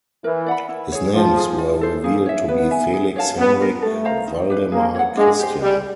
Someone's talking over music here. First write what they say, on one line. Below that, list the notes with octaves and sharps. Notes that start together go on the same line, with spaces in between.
His names were revealed to be Felix Henrik Valdemar Christian.
E3 A#4
D5 F#5 B5
E4
G#4 C#5
F3 D4
F4 G#4
F4
A4 C5
A#3 G#4
C#5 E5
B3 B4
E5 G#5
G#4
C#5 F5 A5
B3 C#4
F4 A#4
A3 A4
C5 F5 A#5
D#4
G4 B4
A#3 G#4
C#5 F#5
G#3 D4
G4 C5
G3 G4